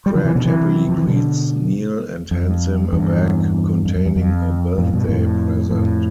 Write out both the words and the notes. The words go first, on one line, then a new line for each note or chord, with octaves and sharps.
Grant happily greets Neal, and hands him a bag containing a 'birthday present.
G3
D3 F3
C3 E3
B2 D3
C3 E3
F3
E3
B2 D3
F2
E2 G2
F2
F2
E2
F2
F2 A2
G2 B2
F2 A2
F2 A2